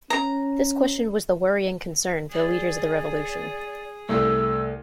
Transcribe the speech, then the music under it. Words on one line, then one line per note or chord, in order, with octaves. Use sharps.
This question was the worrying concern for the leaders of the Revolution.
C#4 A#5
G#4 D5
C2 A3 E6